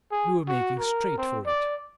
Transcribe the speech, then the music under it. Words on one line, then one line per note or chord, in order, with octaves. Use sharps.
You were making straight for it.
G#4
F#4
A#4
C4
D5